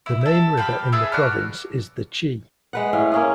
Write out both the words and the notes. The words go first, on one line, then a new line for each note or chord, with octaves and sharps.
The main river in the province is the Chi.
E4
A4 E5
G4 F5 B5
E4 G#4 A4 B4
F#4 D5 F6
G#3 B4 F#5
A2 C#4 F5
A#3 C#4 G#4